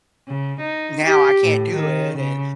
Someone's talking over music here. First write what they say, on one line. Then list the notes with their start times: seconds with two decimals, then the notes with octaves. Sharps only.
now I can't do it, and,
0.28 C#3
0.60 D#4
1.04 G4
1.43 A2
1.73 D#3
2.17 C#3